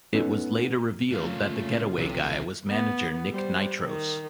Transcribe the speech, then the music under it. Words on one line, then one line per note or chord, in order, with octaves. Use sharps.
It was later revealed that the Getaway Guy was manager Nick Nitros.
B3 C#4 D#4 A4
C#3 A3 A#3 F4 F5
B1 C3 E3 A4
B3
G3 C5
D#3